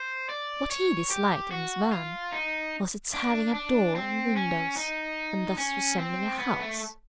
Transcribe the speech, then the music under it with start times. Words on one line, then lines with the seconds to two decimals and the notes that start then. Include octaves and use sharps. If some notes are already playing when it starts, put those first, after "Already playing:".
What he disliked in his van was its having a door and windows, and thus resembling a house.
Already playing: C5
0.29 D5
0.70 C#5
1.11 G4
1.51 F#4
1.92 F4
2.32 D#4
3.14 D4
3.55 D4
3.95 C4
4.36 C#4
4.77 D#4
5.58 C#4
5.98 C4
6.39 B3
6.59 A3